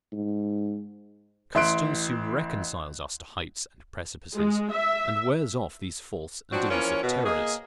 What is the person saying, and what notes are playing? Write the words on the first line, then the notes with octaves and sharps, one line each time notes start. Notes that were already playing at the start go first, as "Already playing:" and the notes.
Custom soon reconciles us to heights and precipices, and wears off these false and delusive terrors.
G#2
A1 E5 C6 F#6 D7
G#3
E5
F3 F#3 C4 D4 F#4
E3 F3 A#3 C#4 A#4 C#5
B2
A#3 G#4 D#5